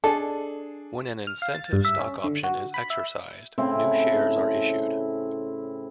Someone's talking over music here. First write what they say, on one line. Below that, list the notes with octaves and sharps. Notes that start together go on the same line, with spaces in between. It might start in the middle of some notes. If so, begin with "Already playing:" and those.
When an incentive stock option is exercised, new shares are issued.
D4 G#4 A4 D5 D#5 A5
F6
F5
A6
G2
E5
C#4
D3
F#4
B5
E5
A2 C#3 C4 E4